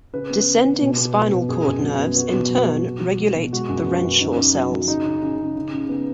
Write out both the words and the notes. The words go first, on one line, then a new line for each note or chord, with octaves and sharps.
Descending spinal cord nerves in turn regulate the Renshaw cells.
C#3 B4
B3
C#3
B3
B2
B3
B2
B2
F#2 G#4
F#2
F#3
B3
B3 F#4
B2
F#3
F#3
B2
F#3
F#3
B2
G#3 F#4
F#2
B3
F#2
C#3 D#4
C#3
F#3
F#3
C#3 D#4
C#3
C#3
C#3
C#3
C#3
B3